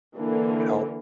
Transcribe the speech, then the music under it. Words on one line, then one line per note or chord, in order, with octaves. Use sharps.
it would help.
D3 E3 A#3